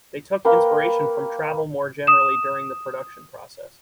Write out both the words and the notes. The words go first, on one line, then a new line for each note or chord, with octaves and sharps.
They took inspiration from travel more generally during the production process.
A#3 A#4 B4 G5
D#6 E7